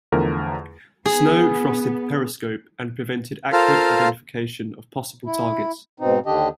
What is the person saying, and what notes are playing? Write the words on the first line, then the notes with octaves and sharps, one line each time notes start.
Snow frosted the periscope and prevented accurate identification of possible targets.
E2 D3 F3 A3 A#4
B3 G#4
F4 A4 A#4 C5 F5
E4
G#2 B2 C4 D#4
D#2 D3 D#3 D4 G4 D#5